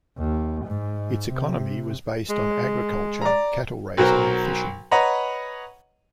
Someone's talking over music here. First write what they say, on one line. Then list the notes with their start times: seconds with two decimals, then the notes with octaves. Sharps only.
Its economy was based on agriculture, cattle raising, and fishing.
0.18 D#2
0.65 G#2
1.31 C3
2.29 G#3
3.21 D5 A#5
3.97 B1 F#3 F#4 A#4 C5
4.91 B4 C#5 D#5 F#5 A#5 B5